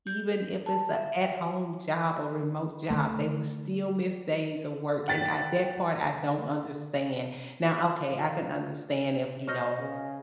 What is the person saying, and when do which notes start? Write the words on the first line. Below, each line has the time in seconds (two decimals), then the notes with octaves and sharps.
even if it's a at home job or remote job, they will still miss days of work, and at that part, I don't understand. Now, okay, I can understand if, you know,
0.07 G6
0.66 A5
0.95 E5
1.22 G5
2.90 D3 D#3 A3
5.08 F#5 G5 A6 B6
7.64 F4
9.48 C5 C#5 D#5 F6
9.79 C#3